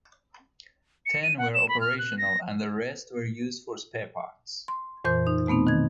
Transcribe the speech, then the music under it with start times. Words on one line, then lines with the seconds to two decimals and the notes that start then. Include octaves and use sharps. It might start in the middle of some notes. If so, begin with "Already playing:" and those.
Ten were operational and the rest were used for spare parts.
1.06 C#7
1.23 D#7
1.38 F#5
1.54 E7
1.69 B5
1.81 F6
1.98 F#6
2.18 A#6
4.68 C6
5.05 F2 A#2 E3 C5 C6 G6
5.27 D#4
5.47 B2 A3 B3 C4 D#4
5.67 D#3 G#6